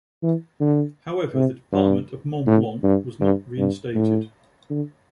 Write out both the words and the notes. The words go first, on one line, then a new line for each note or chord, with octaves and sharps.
However, the department of Mont-Blanc was not reinstated.
E3
D3
C3
G2
A2
G2
G2
G2
A2
D3